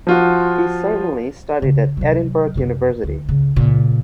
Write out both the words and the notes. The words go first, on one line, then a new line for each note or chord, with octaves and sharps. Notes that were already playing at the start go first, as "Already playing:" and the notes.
He certainly studied at Edinburgh University.
F3 F4 F#4
C#3
C3 F#3
F#2 C3
D2
C#3
A#2 C#3